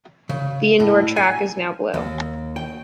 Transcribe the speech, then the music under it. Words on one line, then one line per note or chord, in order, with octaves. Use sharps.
The indoor track is now blue.
C#3
A2
G#5
D#2
G5